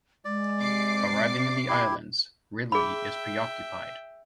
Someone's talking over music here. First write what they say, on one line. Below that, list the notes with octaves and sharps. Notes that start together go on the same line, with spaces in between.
Arriving in the islands, Ridley is preoccupied.
G#3 D5
C3 D6 C7
E4 G4
G#4 E5 G5 B5